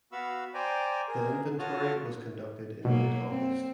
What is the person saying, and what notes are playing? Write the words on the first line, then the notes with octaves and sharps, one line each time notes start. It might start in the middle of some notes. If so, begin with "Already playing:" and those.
The inventory was conducted in late August.
B3 F#4 F5 B5 C#6 E6
C5 D5 G5 G#5 A#5
G#4 A#4
F4 F#4 C#5 A5 D#6 F6
B2 F#3 A#3
C4